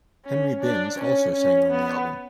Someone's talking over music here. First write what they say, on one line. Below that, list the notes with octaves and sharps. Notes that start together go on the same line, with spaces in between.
Henry Binns also sang on the album.
C#4
D4
C#4
C#4
B3